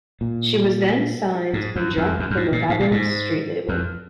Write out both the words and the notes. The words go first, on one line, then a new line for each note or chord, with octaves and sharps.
She was then signed and dropped from the Fabolous street label.
A#2
G#2
F#2
F2
F#2
F#2
G#2
A#2
G#2
A#2
G#2
F2